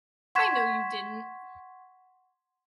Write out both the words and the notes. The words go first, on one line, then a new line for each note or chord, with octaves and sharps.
I know you didn't.
F#5 C6 C#6 G#6 B6 E7